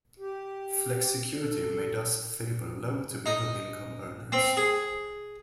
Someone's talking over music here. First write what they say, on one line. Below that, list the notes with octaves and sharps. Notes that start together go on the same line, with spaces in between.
Flexicurity may thus favour low- to middle-income earners.
G4
A4
D#4
C4
G#4